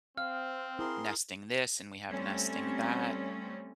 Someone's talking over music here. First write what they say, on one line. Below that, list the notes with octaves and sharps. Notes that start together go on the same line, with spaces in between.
nesting this and we have nesting that.
C4 F5 F6
E4 G#4 A#4 C6
G3 A3 C4 C#4